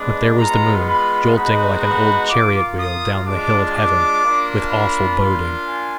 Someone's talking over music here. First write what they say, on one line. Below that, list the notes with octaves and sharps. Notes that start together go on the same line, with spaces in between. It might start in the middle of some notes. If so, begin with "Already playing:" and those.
But there was the moon jolting like an old chariot-wheel down the hill of heaven, with awful boding!
Already playing: G#3 B3 D4
G#3 B3 F4 A#5
B5
G#3 B3 D#4 F#4 B5
B5
A#3 F4 D6
D#6
G#3 D4 F4 D6
D6
A#3 D4 F4
B5
A#3 D4 F4
G#5